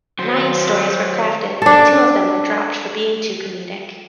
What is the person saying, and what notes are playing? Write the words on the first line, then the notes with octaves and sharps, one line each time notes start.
Nine stories were crafted, but two of them were dropped for being too comedic.
F#3 C5
D4 A4